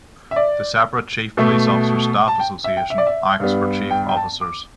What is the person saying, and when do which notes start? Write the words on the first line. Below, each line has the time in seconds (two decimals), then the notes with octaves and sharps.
The separate Chief Police Officers Staff Association acts for chief officers.
0.31 E5
0.36 D5
1.37 B2 A3 E5
2.28 A5
2.40 G5
2.64 E5
2.77 G5
2.90 E5
2.98 D5
3.07 E5
3.40 G2 G3 B3
3.91 G5
4.09 G5
4.17 A5
4.41 D6